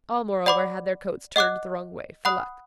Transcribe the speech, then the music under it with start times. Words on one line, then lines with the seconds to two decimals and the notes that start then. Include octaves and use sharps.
All, moreover, had their coats turned the wrong way, for luck.
0.46 D5 F#5 B5 D6
1.36 D#5 F#5 D6 F#6
2.25 F#5 B5 D#6 F#6